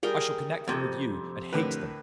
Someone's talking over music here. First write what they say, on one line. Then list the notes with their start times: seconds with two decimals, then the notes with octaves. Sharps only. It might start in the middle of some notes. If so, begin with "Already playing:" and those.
'I shall connect them with you, and hate them.'
0.03 G3 G#4 A#4 G5
0.68 F2 C3
1.53 A2 D3 A#4 B4